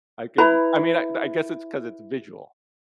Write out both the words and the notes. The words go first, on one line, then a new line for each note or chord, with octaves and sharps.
I could I mean, I I guess it's because it's visual,
E4 B4 A#5